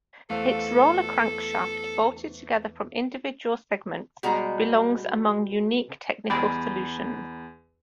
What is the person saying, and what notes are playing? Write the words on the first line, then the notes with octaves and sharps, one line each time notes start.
Its roller crankshaft bolted together from individual segments belongs among unique technical solutions.
E2 A3 A4 C5 F5 D6
B2 G3 G#3 F#5 A#5
E2 G3 G#3 D5 B5